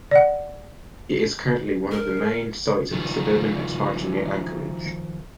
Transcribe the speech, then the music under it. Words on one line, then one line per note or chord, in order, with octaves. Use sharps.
It is currently one of the main sites of suburban expansion near Anchorage.
D5 F#5
A#4
D#3 F3